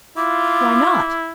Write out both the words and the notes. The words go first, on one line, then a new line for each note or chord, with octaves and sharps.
Why not?
E4 F4 D6